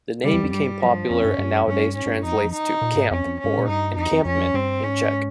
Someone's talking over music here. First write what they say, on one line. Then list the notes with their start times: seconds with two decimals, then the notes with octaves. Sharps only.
The name became popular and nowadays translates to "camp" or "encampment" in Czech.
0.24 C#3 G3
0.33 F2
0.43 F2
0.52 G2 G3
0.81 F3
1.10 F2 C#4
1.25 G2
1.39 G2
1.68 G2 C#4
1.95 G#2 C#4
2.06 G#2
2.15 G2
2.25 F2 D#4
2.35 G2
2.44 F2
2.53 D#4
2.82 A#2
2.96 G#2
3.11 F2 C#4
3.26 F2
3.40 G2 C#4
3.49 G#2
3.58 A#2
3.68 G2 D#4
3.96 F2 D#4
4.11 F2
4.25 F2 C#4
4.54 G2 C4
4.83 G#2 C#4